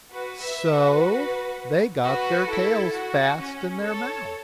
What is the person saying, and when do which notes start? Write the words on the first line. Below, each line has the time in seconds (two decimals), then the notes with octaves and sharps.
So they got their tails fast in their mouths.
0.11 F#4 B4
0.41 B4 E5
0.70 F#4 B4
2.04 F#4 B4
2.49 E4 A4
2.94 F#4
3.39 C#4
3.82 A4 C#5